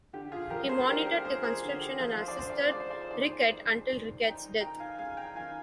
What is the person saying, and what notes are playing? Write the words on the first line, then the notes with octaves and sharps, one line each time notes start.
He monitored the construction and assisted Riquet until Riquet's death.
D3 G4
F4 G#4
F3 G4 A#4
A#4
G#4 C5
D4 G4 A#4
G4 A#4
G#3 G#4 C5
G#4 C5
D3
G4
F3 F4 G#4
C5
D5
D4 C5
D5
C5
G#3 D5
C5
D5
C5
D#3 D5
G#4 C5
G#3
D#3
D#4 G5 A#5
D#3 G5 A#5
F5 G#5
G#3 F5 G#5
G5 A#5
D#3 F5 G#5